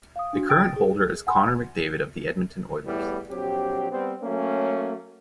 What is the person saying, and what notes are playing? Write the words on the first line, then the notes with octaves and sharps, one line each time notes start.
The current holder is Connor McDavid of the Edmonton Oilers.
F5 D#6
D4 F#4
G5 D#6 A6 D7
G#4
F#5 G#5 B5 C6
E2 A2 E3 G3 B3
A#1 F#3 C4 G4
G3 B3 C4
F#3 A3 A#3 C#4